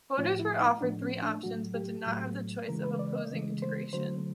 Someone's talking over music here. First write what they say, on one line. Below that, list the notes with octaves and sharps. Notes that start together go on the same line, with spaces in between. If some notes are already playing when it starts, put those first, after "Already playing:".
Voters were offered three options, but did not have the choice of opposing integration.
A2 F3 A3 F4
E4
D#4
A2 F3 A3 D4
C#4
D4
A2 F#3 A3 F#4
G4
A2 F#3 A3
C#3 E3 G#3 A#4
B4
D5
D#5
C#3 E3 G#3
C5
D3 F#3 A3 C5